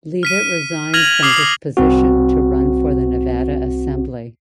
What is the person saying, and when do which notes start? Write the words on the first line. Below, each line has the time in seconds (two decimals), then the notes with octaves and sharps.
Leavitt resigned from this position to run for the Nevada Assembly.
0.23 F6 B6 D#7
0.94 F6 G#6 A#6 D#7 F7 F#7
1.23 D6 D#6 F6 C7 F7 F#7
1.77 C2 C4 F#4